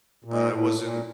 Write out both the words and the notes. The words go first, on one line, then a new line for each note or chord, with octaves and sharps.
I wasn't
A#2
A2
A#2